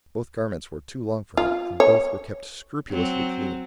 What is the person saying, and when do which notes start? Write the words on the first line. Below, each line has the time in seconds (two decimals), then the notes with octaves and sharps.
Both garments were too long for him, and both were kept scrupulously clean.
1.37 F4
1.80 C#5
2.90 F#3 C4